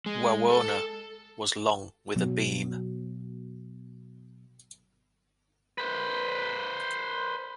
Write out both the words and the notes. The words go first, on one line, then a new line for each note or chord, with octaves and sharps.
"Wawona" was long with a beam.
G#3
A4
B2 F#3 B3
B4 C5